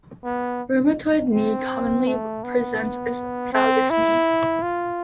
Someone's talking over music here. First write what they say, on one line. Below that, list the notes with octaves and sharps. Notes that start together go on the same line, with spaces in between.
Rheumatoid knee commonly presents as valgus knee.
B3
C4
A3
B3
C4
E4
F4